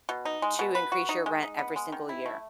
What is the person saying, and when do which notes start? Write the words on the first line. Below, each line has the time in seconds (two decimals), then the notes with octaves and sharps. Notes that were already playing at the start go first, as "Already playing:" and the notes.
To increase your rent every single year
0.09 B2
0.25 D#4
0.42 G#3
0.59 B2
0.75 B4
0.92 F#4
1.09 D#4
1.26 G#3
1.43 D#4
1.59 B3
1.76 G#3
1.92 D#3
2.09 E4
2.26 A3